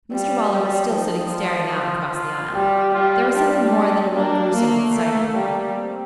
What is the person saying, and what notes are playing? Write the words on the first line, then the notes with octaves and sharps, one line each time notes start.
Mr Waller was still sitting staring out across the aisle. There was something more than a little gruesome in the sight of him.
G3 F4
G3
F3 D#4
F4
F4
F4
G3 G4
G3 F4
G3 D4
A#3 D4
A3 A#3
A3 A#3
G3 A#3
C4